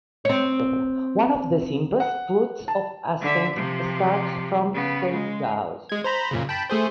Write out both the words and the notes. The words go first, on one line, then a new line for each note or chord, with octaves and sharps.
One of the simplest routes of ascent starts from Craighouse.
C4 C#5
F#5
A5
D3 E5
C3 F3
C#3 B3
G#3
G#3 G#6
C5 A#5 B5
F#2 A#2 C#3
G5 A5 B5
A3 G#4 C5